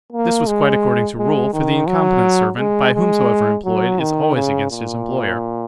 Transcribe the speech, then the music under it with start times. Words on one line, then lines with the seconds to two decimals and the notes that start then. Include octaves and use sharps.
This was quite according to rule, for the incompetent servant, by whomsoever employed, is always against his employer.
0.13 A#3
0.47 G#3
1.18 G#3
1.53 D#3
1.88 F#3
2.59 G#3
2.94 G#3
3.65 F#3
4.00 D#3
4.35 C#3
4.71 A#2